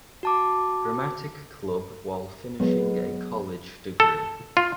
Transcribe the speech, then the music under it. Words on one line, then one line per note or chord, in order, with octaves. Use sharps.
Dramatic Club while finishing a college degree.
F#4 A5 D6
F#3 G#3 B3
A4
F4